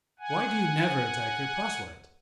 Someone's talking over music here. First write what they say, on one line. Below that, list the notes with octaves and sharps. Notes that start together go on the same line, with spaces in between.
Why do you never attack your proselyte?
F#5 G#5